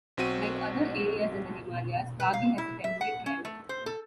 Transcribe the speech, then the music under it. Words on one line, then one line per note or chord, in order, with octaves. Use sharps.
Like other areas in the Himalayas, Kargil has a temperate climate.
B1 C4 F#4 D#7
B4
F5
E4
E5
F#5
C#4
A3
C5
A4